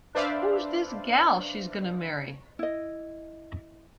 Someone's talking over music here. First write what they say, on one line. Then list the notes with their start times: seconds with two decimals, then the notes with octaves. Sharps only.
Who's this gal she's gonna marry?
0.15 D4 B4 C5 D5 E5 F5
2.59 E4 D#5